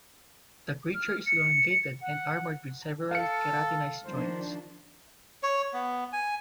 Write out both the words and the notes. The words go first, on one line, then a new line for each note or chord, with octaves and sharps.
The creature is elongated and armored with several keratinized joints.
F6
C#7
F#5
A4 F5 C#7
D#3 F3 D4 C5
C#5
B3
G#5